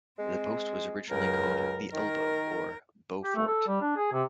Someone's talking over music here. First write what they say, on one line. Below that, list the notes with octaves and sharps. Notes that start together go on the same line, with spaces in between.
The post was originally called "The Elbow" or "Bow Fort".
G#3 C4
C#2 F#2 A#4
D#3 A#4
G4
A3
A4
G3
D4
G#4
C3